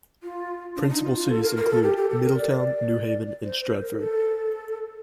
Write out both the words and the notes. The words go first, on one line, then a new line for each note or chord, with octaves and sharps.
Principal cities include: Middletown, New Haven, and Stratford.
F4
D4
D#4
F4
F4
A4
A#4
A#4
A4
G4
G4
A4
A#4
D5
C5
C5
A#4
A4